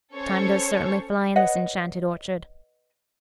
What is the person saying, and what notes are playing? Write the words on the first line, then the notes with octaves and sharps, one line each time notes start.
Time does certainly fly in this enchanted orchard.
C#4 A4 C5 C#5 C#6
B4 C#5 D#5 F#5